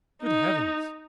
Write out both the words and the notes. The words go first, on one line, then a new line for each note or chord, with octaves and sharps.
Good heavens!
D#4